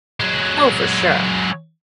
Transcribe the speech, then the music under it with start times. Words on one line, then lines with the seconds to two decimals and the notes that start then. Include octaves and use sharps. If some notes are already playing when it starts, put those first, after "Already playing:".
Oh, for sure.
0.20 F#3 G#3